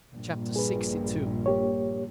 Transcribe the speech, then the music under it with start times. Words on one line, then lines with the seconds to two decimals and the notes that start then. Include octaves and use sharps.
Chapter LXII.
0.14 A#1 G2
0.56 G#4 B4
1.46 A#3 G4 C#5